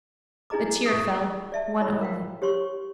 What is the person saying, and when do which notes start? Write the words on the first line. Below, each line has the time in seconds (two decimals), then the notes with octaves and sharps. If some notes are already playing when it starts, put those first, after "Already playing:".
A tear fell: one only.
0.50 D4 E4 G#4 D#5 A#5 D6
0.86 C#6 D#6
1.52 D5 E5 A5
1.81 E4 C#5 B5
2.01 A#4 F5 G5
2.42 G4 C#5 C6 C#6